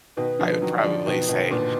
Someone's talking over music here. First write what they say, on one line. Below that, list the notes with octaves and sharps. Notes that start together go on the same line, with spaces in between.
I would probably say
B2 D#3 B4
D3 F3
B4
D#3 F#3
D5
D3 F3
B2 D#3 D5
B4
B2 D#3
A#2 D3 B4